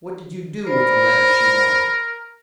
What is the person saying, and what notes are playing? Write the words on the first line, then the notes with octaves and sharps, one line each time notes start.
"What did you do with the letters she wanted?"
A#4 C5 D5 B5